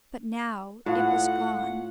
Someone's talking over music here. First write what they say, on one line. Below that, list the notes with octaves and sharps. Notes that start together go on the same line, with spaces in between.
But now it was gone.
A2 F4 F5 F#5